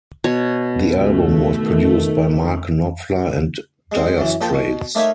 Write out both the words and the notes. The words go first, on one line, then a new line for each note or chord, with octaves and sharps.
The album was produced by Mark Knopfler and Dire Straits.
B2 C#5
C#2 A3
D#3
G#3 C4
F#2 E3
A#2 F3 A4 G5
B2
A3 A#3 D#4 A#4 C#5 E5